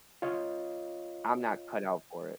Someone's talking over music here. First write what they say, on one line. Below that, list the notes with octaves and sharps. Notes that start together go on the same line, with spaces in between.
I'm not cut out for it.
F4 C#5 D#5 F5